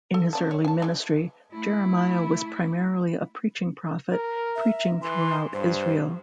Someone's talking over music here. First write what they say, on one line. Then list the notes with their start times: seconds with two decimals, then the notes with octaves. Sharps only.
In his early ministry, Jeremiah was primarily a preaching prophet, preaching throughout Israel.
0.14 A4
0.33 C#4 D5 A5
0.51 C#5
0.65 G#5 A5
0.82 E3 G#3
1.52 A3 E4
4.12 A#4
4.56 E5
5.02 E3 C6
5.53 G2 C5